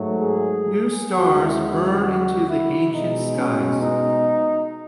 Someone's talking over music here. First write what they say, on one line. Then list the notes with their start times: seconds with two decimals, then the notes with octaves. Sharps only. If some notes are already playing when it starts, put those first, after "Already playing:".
New stars burn into the ancient skies.
Already playing: G#2 F#3 A3
0.20 G#4
1.11 D#2 C#3 G#3 F#4
1.41 E4
1.71 F#4
2.01 F#4
2.48 E4
2.92 B2 G#3 B3 D#4
3.37 C#4
3.83 D#4